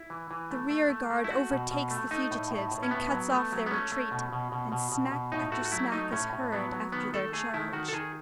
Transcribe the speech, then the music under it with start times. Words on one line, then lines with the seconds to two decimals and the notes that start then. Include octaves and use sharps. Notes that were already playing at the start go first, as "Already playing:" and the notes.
The rear-guard overtakes the fugitives and cuts off their retreat; and smack after smack is heard after their charge.
Already playing: E4
0.10 E3
0.31 E3
0.51 A3
0.70 A3
0.90 A3
1.10 A3
1.24 E4
1.30 A3 F#4
1.51 B2
1.71 B2
1.91 A3
2.11 A3 D#4
2.31 A2
2.51 A2
2.71 A2
2.83 C#4
2.91 A2 B3
3.11 F#3
3.32 A3
3.52 F#3
3.66 B3
3.71 A3 C#4
3.92 A3
4.11 B2
4.33 B2
4.52 B2
4.72 B2
4.92 B2
5.12 B2
5.32 A2 D#4
5.52 A3 F#4
5.65 F#4
5.72 F#3 E4
5.92 A3 D#4
6.12 A2 C#4
6.33 A2
6.52 F#3 B3
6.72 F#3
6.92 D#3 B3
7.14 A3 A4
7.33 A3 G#4
7.54 D#3 E4
7.73 D#3 F#4
7.88 A4
7.93 D#3 G#4